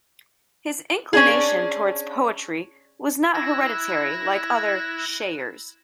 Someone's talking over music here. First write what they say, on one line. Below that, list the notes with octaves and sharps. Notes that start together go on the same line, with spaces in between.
His inclination towards poetry was not hereditary like other "shayars".
C#4 D4 G#4
E4 E6 F#6 G#6 A#6